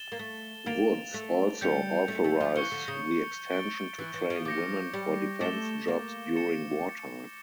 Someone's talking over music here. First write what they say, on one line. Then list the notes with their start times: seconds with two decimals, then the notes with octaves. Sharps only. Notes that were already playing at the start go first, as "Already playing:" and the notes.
Woods also authorized the extension to train women for defense jobs during wartime.
Already playing: A6 E7 G7
0.12 A#3
0.19 A3
0.66 A#3 A6 D7 F7
1.14 A3
1.61 G3 G6 C#7 F7
2.08 A3
2.24 A3
2.40 F3
2.56 E3 C#6 G6 C#7 G7
2.72 D3
2.88 C#3
3.51 A6 D7 G7
3.98 E3
4.14 E3
4.30 F3
4.45 F3 D6 G6 A#6 C#7
4.93 G3
5.40 A3 D6 A6 E7 G7
5.88 A#3
6.35 A6 C#7 E7